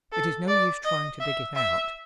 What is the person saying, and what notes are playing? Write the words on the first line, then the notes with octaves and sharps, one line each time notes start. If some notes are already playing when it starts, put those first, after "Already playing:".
It is no use trying to dig it out.
A4
D5
D#5
E5
E5